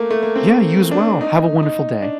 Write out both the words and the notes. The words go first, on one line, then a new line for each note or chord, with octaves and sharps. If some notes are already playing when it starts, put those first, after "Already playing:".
Yeah, you as well. Have a wonderful day.
Already playing: A3 A#3
A3
A#3
C4
D4
D#4
D#4
D4